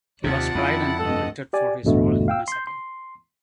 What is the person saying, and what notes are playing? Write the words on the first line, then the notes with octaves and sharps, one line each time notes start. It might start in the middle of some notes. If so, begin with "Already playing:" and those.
He was tried and convicted for his role in the massacre.
D#2 C3 F4 D5 F#5 A5
F2 E4
G2 A3 A4 D#5
G4 D5 G#5
A1 E2 G2 B2 D3 A3
F5 G5 E6
C6 G6
C6